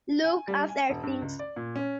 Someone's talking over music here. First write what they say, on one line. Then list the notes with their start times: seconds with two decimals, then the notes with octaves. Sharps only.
Look after things.
0.24 G#5
0.48 G3
0.68 G#5
0.90 E1
1.03 G2
1.22 C#2
1.39 D5
1.56 A#2
1.76 C#4